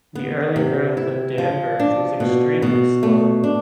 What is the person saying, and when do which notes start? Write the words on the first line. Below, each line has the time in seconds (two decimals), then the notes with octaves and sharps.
The early growth of Danvers was extremely slow.
0.15 B3
0.56 C3
0.97 E4
1.38 F3
1.80 D4
2.20 B2
2.62 B2
3.03 A3
3.44 D4